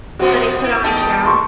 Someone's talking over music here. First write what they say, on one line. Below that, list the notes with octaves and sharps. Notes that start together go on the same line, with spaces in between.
So, they put on a show?
F#2 B2 B3 F#4
E4
E2 D#4 G4 A5
C6 C#6